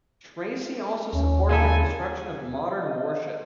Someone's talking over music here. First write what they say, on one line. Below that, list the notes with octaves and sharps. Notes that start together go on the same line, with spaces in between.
Tracy also supported the construction of modern warships.
D#2 C#4
C#3 A#3 E4 A4 G#5
D#5